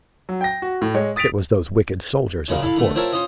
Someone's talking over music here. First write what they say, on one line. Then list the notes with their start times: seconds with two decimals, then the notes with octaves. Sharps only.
It was those wicked soldiers at the fort!
0.29 F#3
0.41 G5 A#6
0.62 F#4
0.82 A2
0.95 G#3 C#5
1.16 D#6 A6 B6 D7 F7
2.48 F#2 A#2 C#3 G#3 C#4
2.63 E4 A4 F5
2.76 D3 A3
2.95 C4 F4 A#4 C#5 E5 A5
3.13 C#4 F4 C5 D#5